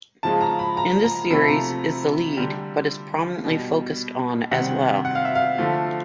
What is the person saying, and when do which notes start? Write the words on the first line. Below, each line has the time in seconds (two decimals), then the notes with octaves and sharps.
In this series, is the lead, but is prominently focused on as well.
0.23 C#3 F3 G#3 A5
0.41 A#5
0.59 B5
0.77 A#5
1.04 A#5
1.30 C3 F3 A3 B5
1.48 A#5
2.37 D3 G3
3.44 B2 G3
4.51 C3 D#3 G3 F#5
5.05 F#5
5.15 F5
5.25 E5
5.35 F5
5.58 D3 F3 A3